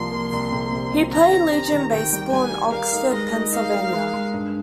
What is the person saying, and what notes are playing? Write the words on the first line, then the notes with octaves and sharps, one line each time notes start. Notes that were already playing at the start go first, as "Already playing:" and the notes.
He played Legion baseball in Oxford, Pennsylvania.
Already playing: C2 F3 A#3 C6
A#3
C2
C3
C3
C2
D#3 A#5
C4
G4
D#3
D#3 G5
G3
G3 G#5
G3
A#4 F5
D#4
G#3 D#5
D#4
D#4 F5
A#4
G#3
G#3
G2